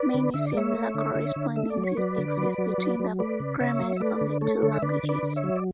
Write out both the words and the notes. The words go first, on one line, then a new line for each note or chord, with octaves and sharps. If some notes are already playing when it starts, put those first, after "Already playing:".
Many similar correspondences exist between the grammars of the two languages.
Already playing: B4 D5
D3
D3 E5
D5
G#3 C#5 E5
A3
D3
D3
D3
A3 E5
D5
F#3
C#5
F#3 B4 D5
D3
F#3
F#3
F#3
F#3
A3 B4 D5
C#3
C#3 C#5 E5
F#3
E5
A3 B4 D5
D3
A3 A4 C#5
D3
E5
D3 B4 D5
D3
B4 D5
D3
C#5 E5
F#3
D5